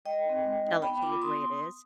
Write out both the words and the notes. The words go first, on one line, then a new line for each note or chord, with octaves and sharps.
tell it to you the way it is.
G#3 D#5 G5
C4 D#4
G#3
C4 D#4
B3 G5 B5
F4 B5 D6
B3 C6 D#6